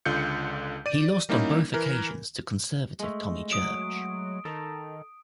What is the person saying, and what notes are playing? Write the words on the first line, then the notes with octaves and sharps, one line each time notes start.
He lost on both occasions to Conservative Tommy Church.
C#2 D3 F4 G6 C#7
D5 D#7
G3 A#3 C#4 D#4 E4
E3 A#4
G#3 A3
F#3 D#6 D7
D#3 A4 A#5